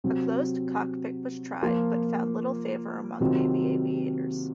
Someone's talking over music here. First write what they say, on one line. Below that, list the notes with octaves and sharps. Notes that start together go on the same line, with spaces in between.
A closed cockpit was tried but found little favor among Navy aviators.
C3 F#3 C4
F3 A#3 F4
C3 D#3 F#3 C4 F4